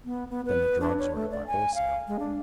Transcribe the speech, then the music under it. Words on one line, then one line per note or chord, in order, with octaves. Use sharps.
Then the drugs ordered by wholesale.
B3
B3
B4
D4
C#5
A3
D5
G#5
F5
G#3
D4